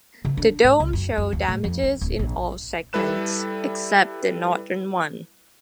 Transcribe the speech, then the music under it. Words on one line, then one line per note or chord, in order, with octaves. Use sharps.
The dome showed damages in all segments except the northern one.
C#3
D4
G#2
C#2
F#2
F#2
D#2
A2
F2
D#4
D1
A#1
G3 E4 A4 B4 F#6 E7